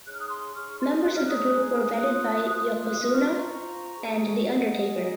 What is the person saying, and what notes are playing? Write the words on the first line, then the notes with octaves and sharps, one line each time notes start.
Members of the group were vetted by Yokozuna and The Undertaker.
D#4 G#4 C#5 F#6
F6
D#6 F#6
C6 D#6
D#4 G#4 C#5 C#6 F6
C6 D#6
D#4 G#4 C#5 F#6
F6
D#6 F#6
D#4 G#4 C#5
F4 C5 D#6 F#6
F4 C5 D#6 F#6
F4 C5 D#6 F#6
C#6 F6
A#5 C#6
F4 C5
D#4 G#4 C#5
D#4 G#4 C#5 D#5 F#5
D#4 G#4 C#5 D#5